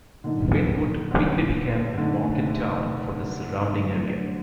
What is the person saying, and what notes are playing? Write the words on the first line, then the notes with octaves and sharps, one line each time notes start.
Wynnewood quickly became a market town for the surrounding area.
A#2 D3 F#3 A#3 D#4
D3
A#2 D3 A3 D#4
C3
D3 F#3 A3 D4